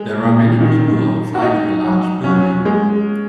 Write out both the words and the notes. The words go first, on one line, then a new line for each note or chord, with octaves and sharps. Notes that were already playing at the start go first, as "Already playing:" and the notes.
There are many people outside of a large building.
Already playing: G#3
A#2
D#3
D#3
F#4
D#4
F#3
F#3 C#4
G#3